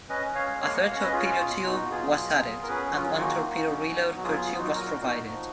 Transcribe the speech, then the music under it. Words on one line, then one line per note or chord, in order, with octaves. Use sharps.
A third torpedo tube was added, and one torpedo reload per tube was provided.
C#4 B4 D#5
C#4
C#5 F5
G#3
A#3 C#5 F5
B2 D#5 F#5
C#5 F5
C#4 B4 D#5
C#4 F4 G#4
B2
F4
B2
B2 D#4 F#4
B2
F4 G#4
F#3
B2
F#3
B3
A#4
C#4 G#4 B4
F#3
F4
D#3
G#4
A#3 D#4 F#4
A#3
C#4
F#3
B2
F#3
F#4
B3 F4 G#4
F#3 F4
F#3 D#4 F#4
A#2 F#4 A#4
A#2
D#4 F#4
A#2
F3